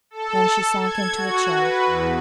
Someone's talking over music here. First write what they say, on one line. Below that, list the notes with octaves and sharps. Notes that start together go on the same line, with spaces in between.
Then she sank into a chair.
A4
G#6
F#4
B4
E2